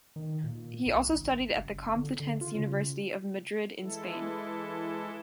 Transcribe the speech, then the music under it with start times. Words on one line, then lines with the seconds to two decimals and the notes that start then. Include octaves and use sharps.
He also studied at the Complutense University of Madrid in Spain.
0.16 D#3
0.44 A#2
0.86 C2
1.07 G#1
1.49 F#1
1.96 D3
2.20 D3
2.41 F4
2.55 C#3
3.79 E3 G#3 E4 A4